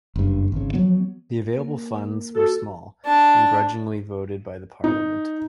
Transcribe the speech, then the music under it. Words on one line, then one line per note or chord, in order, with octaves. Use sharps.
The available funds were small, and grudgingly voted by the parliament.
F#1 G2
G#1 C#3
F3 F#3 B3
A#3 A#4
F#4 A4
D4 A5
D#4